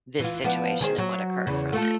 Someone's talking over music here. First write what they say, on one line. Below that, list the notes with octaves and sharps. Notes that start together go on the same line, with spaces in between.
this situation and what occurred from it.
E3 F4
F3 B3 D4
D#3 G#4 C5
F#3
E2 C#3
A3 F4 A4